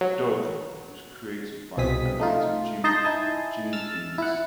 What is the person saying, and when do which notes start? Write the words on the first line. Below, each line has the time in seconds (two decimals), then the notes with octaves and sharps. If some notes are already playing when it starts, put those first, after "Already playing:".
"Doug" was created by animator Jim Jinkins.
0.01 F#3
1.77 C2 B2 C4 G#4 D#6 B6
2.20 A3 D#4 F4
2.84 D#4 D#5 A5 C6 G6 A#6
3.04 D#4 E4 G#5 A5
3.73 E6 F6 A6
4.18 E4 F#5